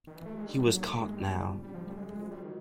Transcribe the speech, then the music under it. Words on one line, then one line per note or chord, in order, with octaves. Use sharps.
He was caught now.
D#3
E3 F3
A3
G4
G#3
G3 D#4
F#3
A#3
F#3
G#2 A3
G#3 B3
G3 G#3
F3
C#3
G3
C#4
F3
G3 A3
G#3
F#3
G#3
F3 G#3
G3
F#4
D#3